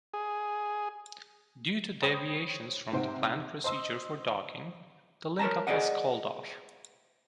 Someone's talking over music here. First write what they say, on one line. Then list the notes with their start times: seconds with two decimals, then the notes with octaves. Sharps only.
Due to deviations from the planned procedure for docking, the link-up was called off.
0.14 G#4
2.02 C5 C#5 G5 B5 D#6
2.92 G#2 C3 C5 F#5 D7
3.64 C5 D#5 C6 E6
5.39 A#4 C#5 E5 A5 A#5
5.67 G#4 A4 C5 D5 D#5 F#5